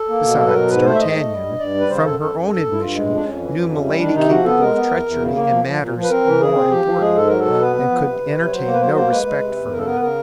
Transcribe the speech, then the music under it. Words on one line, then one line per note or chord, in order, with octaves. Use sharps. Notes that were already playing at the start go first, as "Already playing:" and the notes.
Besides, d'Artagnan from her own admission knew Milady culpable of treachery in matters more important, and could entertain no respect for her.
Already playing: A4
A#3
B2
F#3 A4
B4
B2 A#4
G#2 B4
A3 C5
E5
G#2 D#5
A3
G3
G2
G2 D5
G3 B4
C#3 C5
F#2 A4
F#2 A4
F#2
G2 A4
G2
E4
G2 F4
G#3
F2
D4
F2 C#4
E3
F2
C3 C#4
G3
D#3 D4
C3 D#4
F3 F#4
B3 A4
G#3 A#4
B3
E2
E2
C#3
A#3
F3
F3
A#2
F3
B4
C4 A#4
E3
C#3 G#4
C4
F3 G4
F3
G#3 G#4
G#2 A4
F#3 A#4
A4
B2
B3 B4
B3
F3
C3
C3
C3
C#5
F#3 C5
A#3
B4
F#3 C5
A#3 C5
G#3 B4
G#3
C3
E2
C#3 A#4
A4
B3 A#4
B4
C#3 A#4